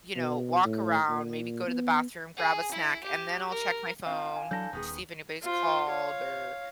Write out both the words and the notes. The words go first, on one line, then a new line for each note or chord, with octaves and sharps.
you know, walk around, maybe go to the bathroom, grab a snack, and then I'll check my phone to see if anybody's called or,
B2
A2
A#2
B3
G#4
E4
G4
A#4
C4 D4 F4 F5
F5 G#5
E3 F#3 D4 A4 G6 A#6
D#1 D#3 B3 G#4
F4 C5
C#5 F5